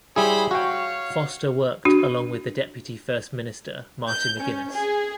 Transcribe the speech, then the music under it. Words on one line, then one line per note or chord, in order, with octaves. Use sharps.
Foster worked along with the deputy First Minister Martin McGuinness.
G3 E4 G#4 C5 C#5 B5
F#4 C#5 F5 G5
D4 F#4
G6
C#4
G#4